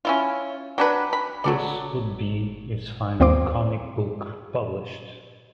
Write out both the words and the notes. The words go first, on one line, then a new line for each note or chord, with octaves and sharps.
This would be his final comic book published.
C#4 E4 F4
F#3 D4 B4
B5
F#3 A4 D5
D#2 C4 F4 C5 D6